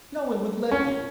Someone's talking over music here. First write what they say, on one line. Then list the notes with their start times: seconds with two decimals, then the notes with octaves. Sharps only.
No one would let you!...
0.71 C#4